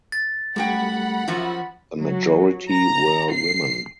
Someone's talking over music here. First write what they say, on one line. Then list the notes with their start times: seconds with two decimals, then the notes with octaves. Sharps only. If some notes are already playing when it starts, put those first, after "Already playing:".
A majority were women.
0.12 A6
0.56 F#2 G3 A3 F#4 F#5 G5 B5
1.28 F#2 F3 F4 F#4 E5
2.00 F#3
2.70 A#5
3.32 C7